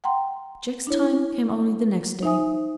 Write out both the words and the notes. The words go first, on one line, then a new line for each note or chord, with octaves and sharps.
Jack's time came only the next day.
F#5 G5 A#5 C6
D4 E4 C#5
D#4 C5 E5 G#5 D#6